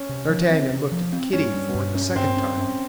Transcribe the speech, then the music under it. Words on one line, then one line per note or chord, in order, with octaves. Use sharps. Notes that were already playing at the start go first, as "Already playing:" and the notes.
D'Artagnan looked at Kitty for the second time.
Already playing: C#4
C3
F3
C4
C3
F3
C4
G2 C#4
G3
G2
C#4
G2 C4
C#4
C#4